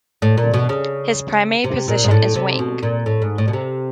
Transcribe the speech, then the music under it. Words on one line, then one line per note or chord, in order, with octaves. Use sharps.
His primary position is wing.
A2
A#2
B2
C#3
C3
A#2
G#2
A2
C3
B2
A#2
A2
G#2
A2
B2
C3